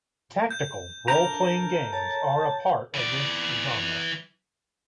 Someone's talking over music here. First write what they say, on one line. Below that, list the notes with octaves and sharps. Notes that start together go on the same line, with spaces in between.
Tactical role-playing games are a part of this genre.
G6
D4 A4 A#4 A#5 G6
C#5 A5
E3 D5